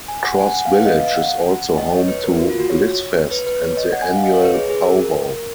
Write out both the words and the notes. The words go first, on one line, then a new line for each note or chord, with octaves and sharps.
Cross Village is also home to Blissfest and the annual pow wow.
G#5
F#5
F#5
G#5
F#5
F5
B4
D#5
F5
F#5
D#5
C#5
B4
A#4
F#4
F4
F#4
C#5
B4
B4
C#5
D#5
F#5
G#5
F#5
F5
D#5
C#5
B4
G#4
G#4
A#4
A#4